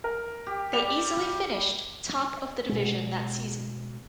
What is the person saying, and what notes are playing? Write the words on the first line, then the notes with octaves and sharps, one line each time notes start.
They easily finished top of the division that season.
A#4
G4
G3 F7
B2 G#3